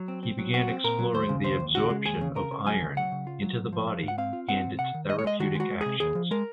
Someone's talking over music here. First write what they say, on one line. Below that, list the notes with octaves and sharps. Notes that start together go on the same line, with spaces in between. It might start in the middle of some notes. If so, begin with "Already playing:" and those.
He began exploring the absorption of iron into the body and its therapeutic actions.
Already playing: F#3
C4
C4
F#3
C4 F#4
C4
A#2 A#4
F#3
D#2 C5
C#3
D#2 C5
D#2
C#3 F#4
G#3
D#2 G#4
C#3
C#3 A#4
C#3
F#3 G#5
C#3
F#3 F#5
C#3
F4
F#3
G#2
F3
F4
G#2
F#5
C4 F5
F4
C4 F#5
G#2
C3 F#5
D#3
G#3 D#5
C#5
G#3 D#5
D#3 F#4
G#3 F#4
G#3
C3 G#4
D#2 G#4
F3
G#3 A#4